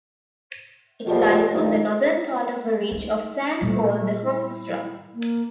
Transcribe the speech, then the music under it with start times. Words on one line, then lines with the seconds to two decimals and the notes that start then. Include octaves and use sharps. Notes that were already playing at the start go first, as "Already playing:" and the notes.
It lies on the northern part of a ridge of sand called the Hondsrug.
1.06 E2 B2 F3 G3 A3 D#5
1.52 G2 D#3 F3 D#4
2.92 D#4 E4
3.61 A#2 G3 A3
4.23 E4
5.15 A#3